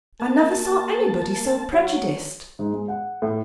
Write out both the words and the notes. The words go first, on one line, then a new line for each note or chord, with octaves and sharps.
I never saw anybody so prejudiced.'
A#3 A5
F#3
G#2
G#3
F#5
A2